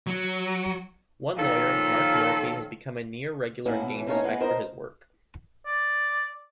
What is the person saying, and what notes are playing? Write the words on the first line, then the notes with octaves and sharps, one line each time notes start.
One, lawyer Marc Murphy, has become a near-regular and gained respect for his work.
F#3
A#2 D#3 F3 C#4 F4 A4
A#3 B3 C#4 E4
B2 F#4
E3 C#4
A3 A#3 C#4 D#4 C#5
G#3 B3 C#4
F#2 A#4 C5 D#5
D5